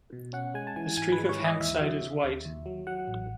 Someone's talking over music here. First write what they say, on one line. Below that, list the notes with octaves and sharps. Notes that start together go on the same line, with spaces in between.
The streak of Hanksite is white.
B2
C#4 F#5
G#3 G#5
A5
E3 G#5
G#2 G#5
B4
G#3
B4
C#5
E3
D#5
D#2 E5
F#3
C#3
D#2
D#2
F#3
F#3 F#5
A1